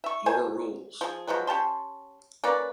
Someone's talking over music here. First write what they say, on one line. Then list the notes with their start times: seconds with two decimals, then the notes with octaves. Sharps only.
Your Rules.
0.04 E5 C#6
0.26 C5 G#5
1.01 F3 G#4
1.27 F3 F#3 G#3 B4
1.47 C#4 G4 A5 C6
2.44 A#3 C#4 B4 D5